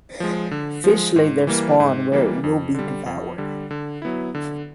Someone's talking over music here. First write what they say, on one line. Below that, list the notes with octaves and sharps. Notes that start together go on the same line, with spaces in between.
Fish lay their spawn where it will be devoured.
F3 G#3
D3
F3 G#3
G#2
E3 G3 A#3
G#2
E3 G3 A#3
F2
D3 G3
F2
D3 G3
D3
F#3 B3 E4
D3